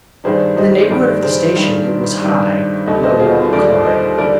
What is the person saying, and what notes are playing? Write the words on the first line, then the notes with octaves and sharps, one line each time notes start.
In the neighborhood of the station it was high, and a long climb.
G2 D#3 G3 D4 G#4 C5
C5 D#5
G2 D#3 G3 D4 A#4 D5
G#4 C5
G2 D#3 G3 D4
G2 D#3 G3 D4
D#2 D3 G3 D#5
C5 D#5
F4 G#4
D#2 D3 G3 A#4 D5
C5 D#5
D3 G3 A#4 D5